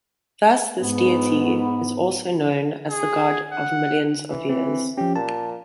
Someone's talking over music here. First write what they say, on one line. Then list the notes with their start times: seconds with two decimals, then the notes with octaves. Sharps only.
Thus this deity is also known as the "god of millions of years".
0.81 G#2 B3
2.90 G#4
3.52 F#5
4.30 E3
4.49 E3 C4
4.98 F3 C#4 G4
5.16 A#2 A5